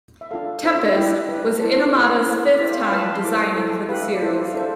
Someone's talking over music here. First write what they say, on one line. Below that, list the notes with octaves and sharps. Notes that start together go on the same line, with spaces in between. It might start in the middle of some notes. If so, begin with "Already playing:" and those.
"Tempest" was Inomata's fifth time designing for the series.
E5
D4 F4 A4 F5
D4 F4 C5
E4 G4 B4 G5
D4 G4 B4
E4 A4 C5 A5
E4 G4 B4
E4 A4 C5
D5
E4 G4 C5 E5
F5
G5
F4 B4 A5
A5
C6
E4 A4 C5 D6
E4 A4 C5
D4 G4 B4 F5
E5
D5
E4 A4 C5 E5
F5
D4 A4 C5 E5